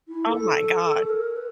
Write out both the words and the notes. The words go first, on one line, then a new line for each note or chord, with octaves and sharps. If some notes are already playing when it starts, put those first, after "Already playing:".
oh my god.
E4
A4
A#4
B4